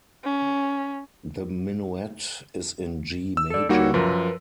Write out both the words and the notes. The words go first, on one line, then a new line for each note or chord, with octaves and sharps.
The minuet is in G major.
C#4
E6
A4 D5
G3 A#3 D#4 F#4 C#5
F#2 F3 A#4 B4